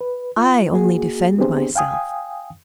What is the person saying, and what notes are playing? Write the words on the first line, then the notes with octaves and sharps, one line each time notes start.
I only defend myself.
B4
F4
A#3 F#4 G#4
B3 C4 D4 G4 G#4 C5
F5 G5 G#5 D#6